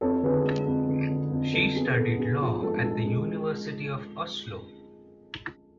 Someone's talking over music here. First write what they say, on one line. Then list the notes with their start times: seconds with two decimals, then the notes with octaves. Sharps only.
She studied Law at the University of Oslo.
0.01 F2 A4 C#5
0.23 D3 G#4 B4
0.44 G#3
0.66 F2
0.89 D3
1.10 D3
1.31 F2
1.54 F2 A4
1.75 B3 G#4
1.97 B3 A4
2.18 B3 G#4
2.41 F3
2.63 G#3 A4
2.84 G#3 A4
3.06 G#3